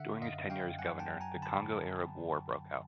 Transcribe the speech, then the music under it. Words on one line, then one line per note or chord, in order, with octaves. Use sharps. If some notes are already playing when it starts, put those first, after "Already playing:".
During his tenure as governor, the Congo-Arab War broke out.
Already playing: D3 E5 F#5
F#2 D#5 F5
F#2 F5 G5
F#3 F#5 G#5
G5 A5
F#3
G#5 A#5
D3
A5 B5